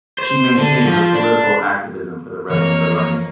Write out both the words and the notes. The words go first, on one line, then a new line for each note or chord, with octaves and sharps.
She maintained her political activism for the rest of her life.
C5
D3
F3
D4
F2 E3 A#3 C#5